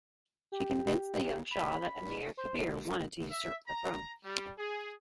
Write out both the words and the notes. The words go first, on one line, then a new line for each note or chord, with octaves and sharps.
She convinced the young shah that Amir Kabir wanted to usurp the throne.
G4
B5
C5
E5
A#5
G3
G#4